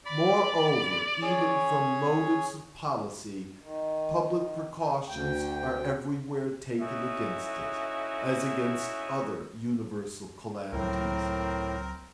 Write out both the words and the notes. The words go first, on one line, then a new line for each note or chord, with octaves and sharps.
Moreover, even from motives of policy, public precautions are everywhere taken against it, as against other universal calamities.
D5 B5
C#4 G#4 C#5
D#3
D2 G5
A3 C#4 D#4 E4 F#4 D#5
C#2 A2 F#3 C4 A#4